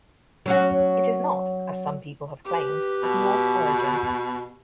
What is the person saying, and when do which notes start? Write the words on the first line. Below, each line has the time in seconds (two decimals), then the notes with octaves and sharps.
It is not, as some people have claimed, of Norse origin.
0.46 F#3 C#4 F#4
2.46 G4 B4
3.03 B2